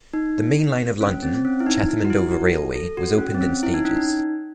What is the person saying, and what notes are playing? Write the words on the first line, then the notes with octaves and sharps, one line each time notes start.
The main line of the London, Chatham and Dover Railway was opened in stages.
D#4
C#4
C4
C4
C#4
E4
D#4
E4
F#4
E4
F#4
A4
A4
F#4
C#4
C4
C#4
E4
D#4
C#4
D#4